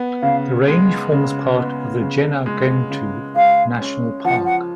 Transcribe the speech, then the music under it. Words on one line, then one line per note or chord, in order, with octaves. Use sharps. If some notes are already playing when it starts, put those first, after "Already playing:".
The range forms part of the Gennargentu National Park.
Already playing: B3
C#3 F5
G#3
C#3
B3
C#3
G#3
C#3
G#3 F5
C#4
F3 F#5
F#5